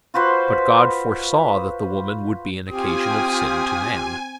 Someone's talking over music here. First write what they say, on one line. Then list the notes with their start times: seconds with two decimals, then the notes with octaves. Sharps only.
But God foresaw that the woman would be an occasion of sin to man.
0.14 F4 F#4 B4 C5
2.70 C4 F4 G4 G#5 D#6